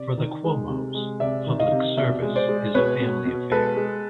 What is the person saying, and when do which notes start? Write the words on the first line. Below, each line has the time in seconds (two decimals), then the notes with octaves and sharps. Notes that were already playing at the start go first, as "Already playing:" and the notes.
For the Cuomos, public service is a family affair.
Already playing: C3 D5
0.17 D#3
0.44 G#3
0.69 C3
0.95 G#3
1.20 C3 D5 E5
1.47 D#3
1.60 D#5 F5
1.72 C3
1.97 B2 D5 E5
2.22 G#3
2.36 C5 D5
2.49 G#3
2.74 B2 B4 C#5
3.00 B2
3.25 B2
3.52 G#3 A4 B4
3.77 G#3